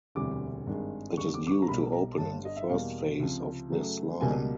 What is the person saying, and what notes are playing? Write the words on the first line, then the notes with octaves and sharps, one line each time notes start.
It is due to open in the first phase of this line.
E1 D2 C3 E3 G3 D6
G#1 G2 D#3 G#3
F2 D3 G3 C#6
D6
D6
C#6
A#5
B1 B2 G3 A#3 B5
A#5
G1 G2 D3 A5
D#5
E5
E2 B2 G3 A#3 F5
C#2 C3 F3
F#2 C#3 F#3 A3
C#2 B2 G3 A#3 G#5